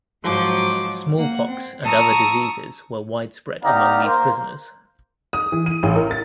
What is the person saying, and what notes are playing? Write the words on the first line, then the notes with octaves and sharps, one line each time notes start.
Smallpox and other diseases were widespread among these prisoners.
G#2 F3 F#3 D6
A#3 F#5
C4
A5 A#5 C#6 D#6 E6
B3 D#4 G4 D5 F5 A#5
A#3 A#4 C5
D#6
E3
D#7
A1
A#4
A6